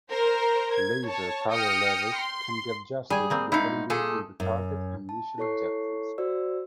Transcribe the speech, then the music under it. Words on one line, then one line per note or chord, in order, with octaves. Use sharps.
Laser power levels can be adjusted depending on the target and mission objectives.
A#4 C5 A#5
G#6
C#5 A5
G5 D#6 F6 A#6 C#7
C6
G3 G#4 G#5
G3 A#3 C4
G#2 D#4 E4 F5
A#2 G#4 A4
F#2
A5
E4 A4 C#5 C#6 C7
F#4 C5 D5 E6